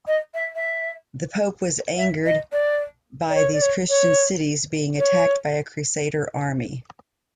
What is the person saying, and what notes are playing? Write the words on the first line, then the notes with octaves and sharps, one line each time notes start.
The Pope was angered by these Christian cities being attacked by a Crusader army.
D#5
E5
E5
E5
D#5
D5
D5
C#5
D5
C#5
C#5
C#5